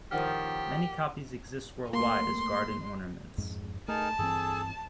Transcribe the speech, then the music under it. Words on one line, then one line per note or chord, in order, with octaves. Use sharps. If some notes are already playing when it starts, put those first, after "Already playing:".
Many copies exist worldwide as garden ornaments.
A2 D#3 F3 G4 A#4 F#5 F6
A3 A#3 C6
F2 G#2 G#3
A3 D#4 G#4 A#4 A5
G2 E3 C4 G#4 A4